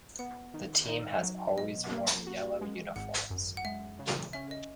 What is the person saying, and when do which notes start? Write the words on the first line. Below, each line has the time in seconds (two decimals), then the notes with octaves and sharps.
The team has always worn yellow uniforms.
0.19 B3 F#5
0.54 D#3
0.88 D#4
1.23 F#3
1.57 B2 D#5
1.91 A#3
2.27 F#4
2.61 G#3
2.96 G#1 F#5
3.30 F#2
3.57 F#5
3.65 G#3 E5
3.99 C#3
4.33 C#4 E5
4.51 D#5